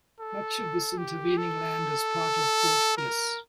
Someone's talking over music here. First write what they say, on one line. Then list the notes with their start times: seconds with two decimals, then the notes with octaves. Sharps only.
Much of this intervening land is part of Fort Bliss.
0.20 A4
0.98 G4
1.38 A4
2.97 A#4